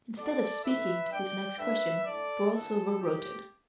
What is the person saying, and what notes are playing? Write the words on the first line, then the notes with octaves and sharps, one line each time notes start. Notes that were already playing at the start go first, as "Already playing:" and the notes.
Instead of speaking his next question, Borlsover wrote it.
B1 B2 B3 A4 D5
B1 A2 E3 B4 E5
G2 G3 D4 D5 G5
G2 D3 G3 D4 B4 E5
A2 A3 D4 A4 D5
G1 G2 E3 B3 A4
G1 G2 D3 G4